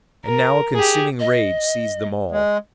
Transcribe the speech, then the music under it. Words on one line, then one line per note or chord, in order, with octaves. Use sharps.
And now a consuming rage seized them all.
A#4
G4 G#4
D#5
G#3